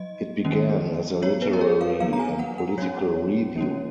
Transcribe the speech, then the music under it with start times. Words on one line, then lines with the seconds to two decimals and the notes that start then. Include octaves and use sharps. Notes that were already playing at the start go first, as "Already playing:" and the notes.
It began as a literary and political review.
Already playing: F#3 D#5
0.44 D#3 A#3 C#4
1.22 F#3 B3 C#5
1.42 B4
1.53 A#4
1.61 G#4
1.81 F5
2.00 F#3 B3 F5
2.13 A#5
2.20 G#5
2.39 F#5
2.58 F#5
2.78 F#3 C#4 C#5
3.56 F3 A#3 C#4